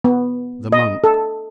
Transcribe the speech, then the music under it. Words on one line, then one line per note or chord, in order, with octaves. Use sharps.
The Monk.
B3
D#5
A4